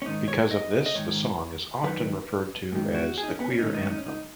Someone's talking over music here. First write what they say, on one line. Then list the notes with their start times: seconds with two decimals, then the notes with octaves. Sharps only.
Because of this, the song is often referred to as the Queer Anthem.
0.02 C#4
0.06 G#2 D#3 D#4
0.28 C#5
0.51 D#5
0.86 D#5
0.95 G#2 D#3 C#5
1.84 F#2 D#3 B4
2.73 G#2 D#3
2.95 F#4
3.18 G#4
3.23 D#4
3.28 C#4
3.40 B3
3.51 C#4
3.59 D#4
3.62 G#2 D#3 C#4
3.74 D#4
3.82 C#4
3.90 D#4
3.98 C#4
4.06 D#4